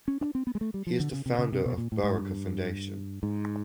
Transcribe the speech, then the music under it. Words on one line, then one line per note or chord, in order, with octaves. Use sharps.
He is the founder of Baraka Foundation.
C#4
D4
C4
B3
G#3
A3
G3
F3
D3
C#3
C3
C#3
C3
B2
A#2
A2
G#2
G2
G#2